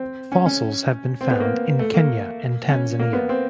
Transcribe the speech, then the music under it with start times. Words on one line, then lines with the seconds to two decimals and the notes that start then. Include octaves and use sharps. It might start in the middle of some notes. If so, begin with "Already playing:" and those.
Fossils have been found in Kenya and Tanzania.
Already playing: C4
0.32 C#4
0.46 C#4
1.21 C4
1.30 B3
1.40 A#3
1.79 A3
1.94 A#3
2.69 C#4
2.99 A#3
3.13 B3
3.29 C4